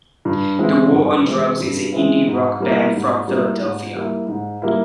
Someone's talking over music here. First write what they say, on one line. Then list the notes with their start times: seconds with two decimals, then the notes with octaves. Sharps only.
The War on Drugs is an indie-rock band from Philadelphia.
0.25 G2
0.58 E3 G#3 C4 E4
0.92 G2
1.26 E3 G#3 C4 E4
1.60 G2
1.92 E3 G#3 C4 E4
2.27 G#2
2.60 G3 A#3 E4
2.93 G#2
3.28 G3 A#3 E4
3.61 G#2
3.95 G3 A#3 E4
4.28 G#2
4.62 G3 A#3 E4